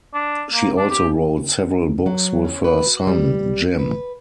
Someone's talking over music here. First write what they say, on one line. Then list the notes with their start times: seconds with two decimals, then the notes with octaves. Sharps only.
She also wrote several books with her son, Jim.
0.14 D4
0.53 A#3
0.77 D4
0.90 G4
2.06 F#3
2.45 C#4
2.64 B4
2.86 F#4
3.07 G3
3.79 B4